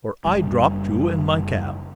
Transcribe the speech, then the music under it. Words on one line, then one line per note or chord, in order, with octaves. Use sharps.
For I dropped you in my cab.
F#1 D#2 G3